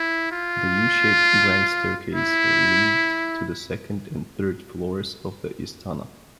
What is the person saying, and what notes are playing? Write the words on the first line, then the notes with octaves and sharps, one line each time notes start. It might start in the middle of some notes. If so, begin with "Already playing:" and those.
The U-shaped Grand Staircase leads to the second and third floors of the Istana.
Already playing: E4
F4
E4